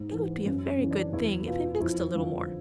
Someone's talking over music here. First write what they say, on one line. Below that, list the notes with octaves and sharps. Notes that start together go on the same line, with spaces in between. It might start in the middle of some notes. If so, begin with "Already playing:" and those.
It would be a very good thing if they mixed a little more.'
Already playing: G#2
E3
F#2 C#4
C#4
C#3 E3
D4
E2 E4
B2 F4
F2 E4
D3 F3